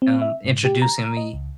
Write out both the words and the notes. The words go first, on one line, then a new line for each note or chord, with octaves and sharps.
um, introducing me
C4
E5
G#2
G4
A#5
D#5
C#2